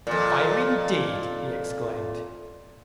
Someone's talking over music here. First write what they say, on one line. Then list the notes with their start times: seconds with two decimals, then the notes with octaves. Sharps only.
"Fire, indeed!" he exclaimed.
0.07 F2 A#2